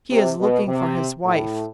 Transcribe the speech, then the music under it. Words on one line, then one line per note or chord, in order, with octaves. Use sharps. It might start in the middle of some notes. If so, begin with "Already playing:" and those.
He is looking for his wife.
C3
B2
C3
A2